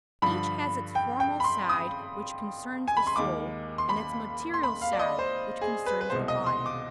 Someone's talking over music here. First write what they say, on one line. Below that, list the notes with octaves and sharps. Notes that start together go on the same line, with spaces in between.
Each has its formal side which concerns the soul, and its material side which concerns the body.
G2 D3 F3 B5
G5
G5
B5
C6
D#6
G#5
B5
C6
D#2 D#3 G#3 D6
C6
B5
C6
B5
F5
D5
D#5
C5
G#4
B4
B4
C2 B2 G#3 C5
D#5
C6
D6